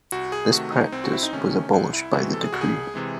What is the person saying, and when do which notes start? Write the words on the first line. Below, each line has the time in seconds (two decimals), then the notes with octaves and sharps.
This practice was abolished by the decree.
0.12 C2 F#4
0.32 G#4
0.52 C3 D#3 A3 F#4
0.72 D#4
0.92 C2 C4
1.04 F#4
1.13 E4
1.23 D#4
1.33 C3 D#3 A3 C#4
1.73 C2
1.93 E4
2.13 C3 E3 G#3 F#4
2.33 A4
2.43 G#4
2.53 C2 F#4
2.61 G#4
2.94 C3 E3 G#3